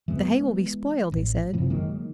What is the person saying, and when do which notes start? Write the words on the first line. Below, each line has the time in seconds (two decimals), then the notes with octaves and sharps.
"The hay will be spoiled," he said.
0.08 E3 G#3 B3
1.12 A1
1.53 F#1 C3 E3 F3
1.70 D#3 F#3 G#3 A#3